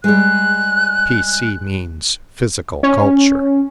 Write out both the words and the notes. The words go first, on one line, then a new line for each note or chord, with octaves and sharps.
P.C. means physical culture.
G3 G#3 F#6
C#4